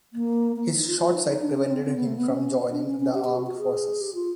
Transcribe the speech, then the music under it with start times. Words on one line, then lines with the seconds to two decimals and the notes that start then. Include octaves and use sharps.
His short sight prevented him from joining the Armed Forces.
0.13 A#3
0.56 A#3
0.77 D#4
0.88 F4
0.99 F4
1.14 D#4
1.28 D#4
1.42 D4
1.56 C#4
1.71 C4
1.85 C4
1.96 B3
2.06 A3
2.18 B3
2.28 C#4
2.71 D4
2.86 C#4
3.00 C#4
3.14 G4
3.25 G4
3.36 F#4
3.46 F#4
3.58 G#4
4.01 G4
4.14 F4